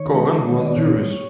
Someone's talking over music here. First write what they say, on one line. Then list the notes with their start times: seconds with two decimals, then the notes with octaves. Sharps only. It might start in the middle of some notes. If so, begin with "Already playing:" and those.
Kogan was Jewish.
Already playing: D#3 C#5
0.13 G#3
0.34 D#3
0.55 B3 D#5
0.66 D5
0.76 A#2 C#5
0.98 G3